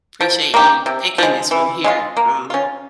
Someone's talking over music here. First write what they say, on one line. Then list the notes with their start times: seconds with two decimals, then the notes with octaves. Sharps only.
appreciate you picking this one here, um
0.21 F3
0.54 A#3 D#4 G4
0.86 C3
1.18 F3 G#3
1.51 E3
1.84 G#3 C#4 F4
2.17 A#3
2.50 C#4 F4